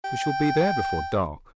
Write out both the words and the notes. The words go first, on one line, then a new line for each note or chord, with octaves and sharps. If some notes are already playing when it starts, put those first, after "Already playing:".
'We shall be there before dark.'
G5